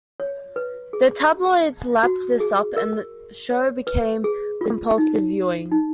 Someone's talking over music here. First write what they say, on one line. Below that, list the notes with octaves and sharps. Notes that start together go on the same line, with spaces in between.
The tabloids lapped this up and the show became compulsive viewing.
C#5
B4
G#4
F#4
G#4
A#4
C#5
B4
G#4
F4
D#4
D#4